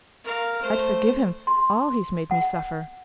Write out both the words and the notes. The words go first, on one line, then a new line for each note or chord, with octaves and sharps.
I'd forgive him all he's made me suffer.
A#4 F5
A3 C5
C6
F#5